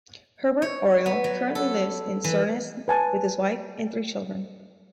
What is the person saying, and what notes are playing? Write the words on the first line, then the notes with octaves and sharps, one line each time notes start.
Hubert Auriol currently lives in Suresnes with his wife and three children.
C#5
B3
F#3
A4
E3
B4 G#5 A5